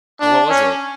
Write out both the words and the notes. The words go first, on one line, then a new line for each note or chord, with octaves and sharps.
Oh, what was it?
D4
C#4